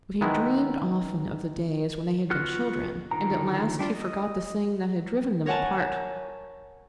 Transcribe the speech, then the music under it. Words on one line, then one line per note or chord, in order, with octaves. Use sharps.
But he dreamed often of the days when they had been children and at last he forgot the thing that had driven them apart.
D#3 G#3 B3 E4
B3 F4 F#4 F6 F#6
D3 D#3 F3 A#5
G3 D4 F4 D5
D#5
A#4 C#5 F#5 G#5 A5